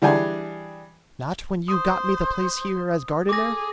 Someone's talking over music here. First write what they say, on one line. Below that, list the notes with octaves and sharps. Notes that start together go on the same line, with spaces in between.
"Not when you got me the place here as gardener?"
E3 G3 D4 G#4 G#5
C5 D#6
G#4 A4 D6 A#6